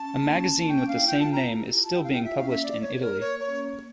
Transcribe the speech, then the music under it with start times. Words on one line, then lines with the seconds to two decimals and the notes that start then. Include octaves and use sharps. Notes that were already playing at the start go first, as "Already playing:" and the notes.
A magazine with the same name is still being published in Italy.
Already playing: C#4 A5
0.22 A#3
0.29 C#4
0.43 A#3
0.55 A#3
0.68 C#4 G5
0.81 D4
0.88 F5
0.94 E4
1.07 F4 G5
1.20 A5
1.33 A#5
1.59 E4 G4
1.72 F4
1.84 A5
1.95 E4 G4 G5
2.04 F5
2.11 F4 G5
2.23 E4 E5
2.37 C#4 F5
2.49 A#3 E5
2.63 D5
2.81 C#5
2.97 C#5
3.01 A#4
3.21 C#5
3.40 A#3 C#5
3.47 C#4
3.53 A#3
3.67 A#3